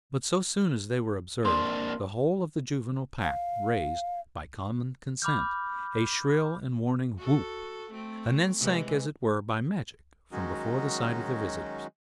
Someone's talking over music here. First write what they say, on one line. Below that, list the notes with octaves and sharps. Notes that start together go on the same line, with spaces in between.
But so soon as they were observed the whole of the juvenile pack raised, by common consent, a shrill and warning whoop; and then sank, as it were, by magic, from before the sight of their visitors.
A#3 C4 D4 C6
F5
B5 D6 F6 G6
F#4 A4
A3 C4
C3 E3 G#3
D#3 F#3 G#3 C#4 D#4 F#4